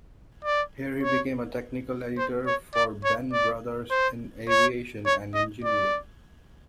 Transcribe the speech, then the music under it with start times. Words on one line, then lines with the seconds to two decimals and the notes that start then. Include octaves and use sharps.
Here, he became a technical editor for Benn Brothers in aviation and engineering.
0.45 D5
1.03 C#5
2.17 C5
2.46 C#5
2.75 D5
3.04 C#5
3.33 D5
3.90 C5
4.49 C#5
5.06 C#5
5.34 D#5
5.64 D5